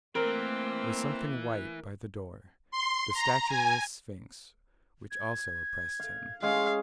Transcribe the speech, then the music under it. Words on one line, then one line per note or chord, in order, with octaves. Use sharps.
It was something white by the door--the statue of a sphinx, which also oppressed him.
E3 A3 A#3 C4 A#4
C6
A#5
G#5
G#6
F5
G#3 C#4 G#4 F5